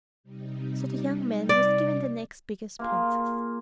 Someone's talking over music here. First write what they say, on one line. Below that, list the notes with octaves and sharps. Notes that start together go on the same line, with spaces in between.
So the young man was given the next biggest princess.
C3 G3 D#4
D5
A#3 F4 G#4